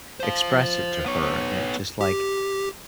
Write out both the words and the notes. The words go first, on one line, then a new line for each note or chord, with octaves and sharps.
express it to her, eh, just like,
C5 F5
B3 C#5
G4